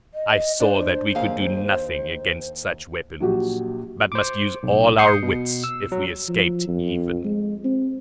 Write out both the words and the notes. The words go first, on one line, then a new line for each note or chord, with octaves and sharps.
I saw that we could do nothing against such weapons, but must use all our wits if we escaped even.
D#5
D4 C5
D#2 G#4 F5
A#1 F#3 F#4 G4
C5 D6
B1
D#6 G6 C7 C#7
B2
E6
F#3
F3
F2
G#3
C4